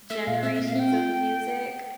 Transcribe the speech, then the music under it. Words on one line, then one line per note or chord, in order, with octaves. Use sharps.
generations of music.
A3 E5
A#2 F5
C4 E5
A#2 E5
F5
C4 G5
F4